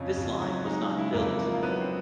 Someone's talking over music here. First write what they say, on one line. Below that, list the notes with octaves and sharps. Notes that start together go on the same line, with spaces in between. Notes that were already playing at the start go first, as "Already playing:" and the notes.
This line was not built.
Already playing: F2 C#3 C#4
F2
F#3
G#3 D#4
C#3
E4
F2 A#3
F3
A#3
F#3 B3
C4